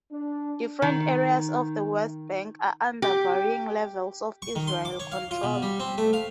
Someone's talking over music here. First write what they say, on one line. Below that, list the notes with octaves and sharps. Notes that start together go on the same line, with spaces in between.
Different areas of the West Bank are under varying levels of Israeli control.
D4
D#3
G4
C#6
D#3
C6
D6
C#5
F5
F4
B2
G3
C4
A3
F5